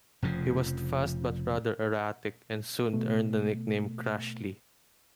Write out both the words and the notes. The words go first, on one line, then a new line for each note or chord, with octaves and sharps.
He was fast but rather erratic, and soon earned the nickname "Crashley".
F1 F2 C#3 F3
B2 A3